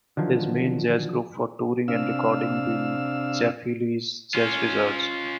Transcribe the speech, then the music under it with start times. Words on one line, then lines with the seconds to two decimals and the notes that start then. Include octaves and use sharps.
His main jazz group for touring and recording being Jeff Healey's Jazz Wizards.
0.17 D3 D#3 F3 F#3
1.88 C3 D4 F5 E6
4.35 C#4 F4